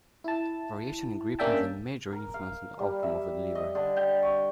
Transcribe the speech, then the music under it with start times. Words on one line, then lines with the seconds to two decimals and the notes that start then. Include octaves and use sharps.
Variation in grip has a major influence on the outcome of a delivery.
0.24 E4 A5
1.39 A#3 C#4 D4 E5 G5 A5
2.12 A#4
2.34 F5
2.79 G3
3.03 E5
3.55 D#5
3.75 D3
3.96 G5
4.22 C#6